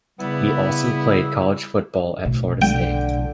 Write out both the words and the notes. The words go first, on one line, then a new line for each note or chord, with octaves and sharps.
He also played college football at Florida State.
C#3 G3 B3 E4
B1 A3
D3 G5